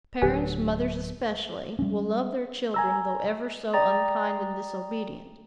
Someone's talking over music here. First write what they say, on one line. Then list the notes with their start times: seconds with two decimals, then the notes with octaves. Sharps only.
Parents, mothers especially, will love their children, though ever so unkind and disobedient.
0.22 D1 D3 F#3 G4 B4 G#5
1.79 G3 C#4
2.74 G#5 A#5 E6
3.74 D5 G5 A#5 D#6 A6